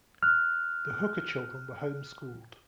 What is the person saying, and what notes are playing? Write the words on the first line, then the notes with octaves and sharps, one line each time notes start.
The Hooker children were home-schooled.
F6 F#6